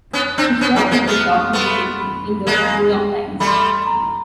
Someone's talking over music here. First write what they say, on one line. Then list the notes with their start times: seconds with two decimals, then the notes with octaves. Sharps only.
His work has been documented in "The New York Times".
0.13 B3 C#4 F#6
0.26 F#6
0.37 C4 D4 G6
0.49 G6
0.61 B3 C#4 F#6
0.76 F#3 G#3
0.91 G#3 A#3
1.07 A3 B3 F6
1.19 F#6
1.31 C#6
1.42 C6
1.53 A3 B3 C6
1.65 B5
1.77 C6
2.00 B5
2.47 G#3 A#3
3.40 G3 A3 B5
3.47 C6
3.52 B5
3.64 C6
3.75 C6
3.86 A#5